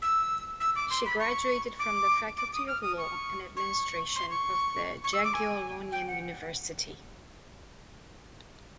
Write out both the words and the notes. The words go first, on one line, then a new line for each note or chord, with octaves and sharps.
She graduated from the Faculty of Law and Administration of the Jagiellonian University.
E6
E6
D6
C6
B5
C#6
D6
D6
D#6
F6
D#6
C#6
C#6
C6
C#6
C#6
E6
D6
G#5
G5
F#5